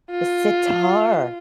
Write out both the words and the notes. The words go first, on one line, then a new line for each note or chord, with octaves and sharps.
The sitar.
F4